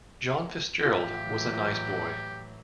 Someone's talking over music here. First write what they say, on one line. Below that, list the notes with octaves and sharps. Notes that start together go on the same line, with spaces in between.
John Fitzgerald was a nice boy.
A2 E3 F#3 F4 G4